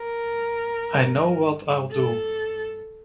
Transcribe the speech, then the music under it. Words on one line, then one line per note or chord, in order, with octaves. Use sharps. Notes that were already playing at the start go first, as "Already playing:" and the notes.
I know what I'll do.
Already playing: A#4
A4